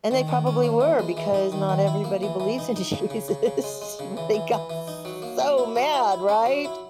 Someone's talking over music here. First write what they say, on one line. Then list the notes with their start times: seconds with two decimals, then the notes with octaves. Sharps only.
and they probably were because not everybody believes in Jesus. They got s so mad, right?
0.11 D#3
0.28 D#3
0.47 C#4
0.63 A#3
0.81 E3
0.99 G#3
1.17 E3
1.34 D#4
1.52 D#3
1.69 D#3
1.87 E4
2.04 A#3
2.23 E3
2.40 E3
2.58 D#4
2.76 D#4
2.93 C#3
3.10 C#3
3.28 C#3
3.46 C#3
3.64 G#3
3.82 G#3
3.99 C#3
4.17 E3
4.34 E3
4.52 E3
4.70 E3
4.88 D#4
5.05 F#3
5.22 A#3
5.40 F#3
5.58 E4
5.76 F#3
5.93 E4
6.11 E4
6.29 C#4
6.46 F#3
6.64 E4